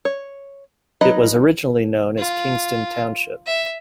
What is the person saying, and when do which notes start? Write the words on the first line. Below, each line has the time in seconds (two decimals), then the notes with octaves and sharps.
It was originally known as Kingston Township.
0.05 C#5
1.01 F#3 D#4 B4 D#5 B5
2.18 F4
3.46 E5